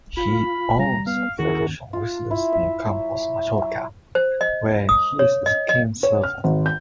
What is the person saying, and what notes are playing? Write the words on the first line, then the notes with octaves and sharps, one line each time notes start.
He owns a vacation residence near Campos, Majorca, where he is a keen surfer.
F4 B5
G3 A#5
B3 F5
D#2 D#3 C#4 E4 F#4 G#4 A#4
F4
E4
E5
F#3
F#3
C5
D#5
D#6
C#5
D#5
D#5
C#5
F6
G#1
G6